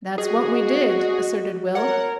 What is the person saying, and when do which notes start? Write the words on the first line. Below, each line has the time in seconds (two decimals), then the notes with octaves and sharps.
"That's what we did," asserted Will.
0.18 F#4 G#4 D#5
1.75 A#4 C#5 F#5